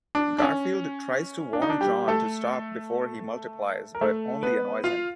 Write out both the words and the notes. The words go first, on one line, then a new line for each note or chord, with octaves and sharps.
Garfield tries to warn Jon to stop before he multiplies, but only annoys him.
D4
D4
C#4
D4
D#4
D4
G3 G4
A3 A4
A#4
A3 A4
B3 B4
F4 F5